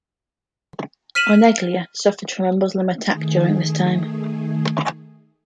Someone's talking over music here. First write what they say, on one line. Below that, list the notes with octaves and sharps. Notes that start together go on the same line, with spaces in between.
Oneglia suffered from a Muslim attack during this time.
F6 B6 D#7 E7 F#7
D#3 A3 G#4